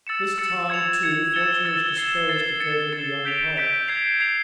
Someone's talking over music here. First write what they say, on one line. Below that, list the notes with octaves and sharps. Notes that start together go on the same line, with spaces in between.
This time, too, fortune is disposed to favour the young pike.
E6 A6 C#7 E7
E6 A6 C#7 E7
G#6 C#7 F7
G#6 C#7 F7
E6 A6 C#7 E7 G7
E6 A6 C#7 E7 G7
A6 C7 E7 G7
A6 C7 E7 G7
A6 C#7 E7 G7
A6 C#7 E7 G7
G6 B6 D7 F7
G6 B6 D7 F7
G#6 C7 F7
G#6 C7 F7